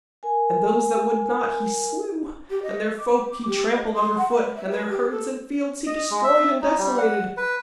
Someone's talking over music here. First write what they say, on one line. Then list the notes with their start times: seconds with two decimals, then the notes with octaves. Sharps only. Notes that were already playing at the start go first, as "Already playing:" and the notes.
And those that would not he slew, and their folk he trampled underfoot, and their herds and fields he destroyed and desolated.
0.23 A#4 G#5
2.50 G4
2.63 D#5
2.99 D6
3.47 G4
3.75 D#5
3.94 C6
4.18 F#5
4.32 B4
4.56 E5
4.70 B4
4.89 G4
5.10 A4
5.87 D#5
6.11 G#3
6.24 E5
6.62 D#4
6.79 G3
6.98 F#5
7.37 B4